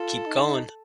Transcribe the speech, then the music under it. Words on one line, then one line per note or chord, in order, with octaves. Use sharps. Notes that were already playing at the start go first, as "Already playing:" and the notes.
Keep going.
Already playing: F4 A4
D#4